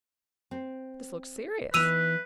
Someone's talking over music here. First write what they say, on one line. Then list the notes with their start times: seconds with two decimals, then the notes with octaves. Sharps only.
This looked serious.
0.51 C4
1.74 E3 B3 D#4 B4 E6 D#7 F7